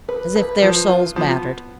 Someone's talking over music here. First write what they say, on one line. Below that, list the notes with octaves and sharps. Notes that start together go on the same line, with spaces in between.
As if their souls mattered.
B4
B4
F3 B4
F4
F3 B3